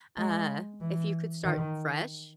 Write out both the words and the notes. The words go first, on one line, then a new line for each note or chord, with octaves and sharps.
uh, if you could start fresh?
G#3
E3
D#3